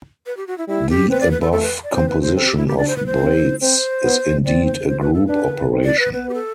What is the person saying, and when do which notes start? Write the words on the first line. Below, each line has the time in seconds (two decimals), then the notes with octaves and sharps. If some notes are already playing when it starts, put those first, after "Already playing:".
The above composition of braids is indeed a group operation.
0.26 B4
0.37 G4
0.47 F#4
0.58 E4
0.68 G3 E4
0.90 G4
1.10 C4 B4
1.21 D5
1.31 B4
1.41 A4
1.52 A3 A4
1.63 B4
1.84 D5
1.94 C4 C5
2.08 B4
2.22 C5
2.36 C4 A4
2.46 G4
2.57 E4
2.67 G4
2.78 D4 D5
2.88 C5
2.97 B4
3.06 C5
3.19 C4
3.62 C4 C5
4.03 B3
4.45 C4 D5
4.66 C5
4.88 C5
5.00 B4
5.13 A4
5.27 D4 B4
5.71 C4
5.84 D5
5.99 B4
6.13 B3 B4
6.29 G4
6.34 A4